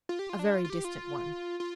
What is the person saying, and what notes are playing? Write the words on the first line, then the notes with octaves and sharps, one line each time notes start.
"A very distant one."
F4
G4
F4
D4
F4
F4
G4
F4
F4